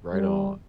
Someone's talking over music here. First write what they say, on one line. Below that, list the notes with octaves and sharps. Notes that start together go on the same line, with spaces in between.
Right on.
G3